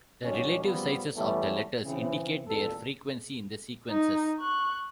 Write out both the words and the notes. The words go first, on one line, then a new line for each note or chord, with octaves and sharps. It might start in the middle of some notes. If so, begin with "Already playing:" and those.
The relative sizes of the letters indicate their frequency in the sequences.
D#2 A#2 F#3 G#3 C#4 D4
C#3 F3 G3 A#3 B3
C#3 E3 G3 A3 B3 C#4
C#3 E3 C4
A1 E2 A#2 A4
D#4
C#6 F#6